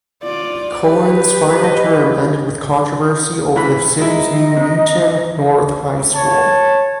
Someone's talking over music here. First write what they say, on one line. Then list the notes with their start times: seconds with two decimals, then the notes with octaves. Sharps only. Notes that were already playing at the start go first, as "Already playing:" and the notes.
Cohen's final term ended with controversy over the city's new Newton North High School.
0.24 F4 D5
0.85 G4 B4
1.63 D#5
3.56 E3 B5
3.98 G#3 D#4 E4 D#5
4.57 C3
6.12 C#5 A5